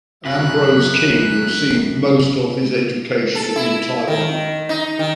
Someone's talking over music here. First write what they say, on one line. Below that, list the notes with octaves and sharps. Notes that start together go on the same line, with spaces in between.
Ambrose King received most of his education in Taiwan.
F#2 B5 F#6
A4
E4
D#3
D#4
D#3